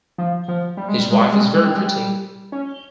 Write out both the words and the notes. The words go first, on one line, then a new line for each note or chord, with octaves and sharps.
His wife is very pretty.
F3
F3
G3
G#3
G3
G#3
G3
G#3
G3
G#3
G3
G#3
G3
C#4